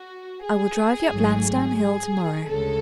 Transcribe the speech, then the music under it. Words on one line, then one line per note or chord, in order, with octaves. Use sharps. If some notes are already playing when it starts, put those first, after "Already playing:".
"I will drive you up Lansdown Hill tomorrow."
Already playing: F#4
G#4
G#1 G#2 F#3 A3
G#4
D2 C#3 G#3 A4